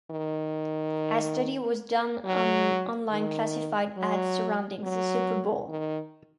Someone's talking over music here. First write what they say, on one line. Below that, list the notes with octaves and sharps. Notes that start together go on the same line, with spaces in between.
A study was done on online classified ads surrounding the Super Bowl.
D#3
F#3
D#3
F#3
F#3
D#3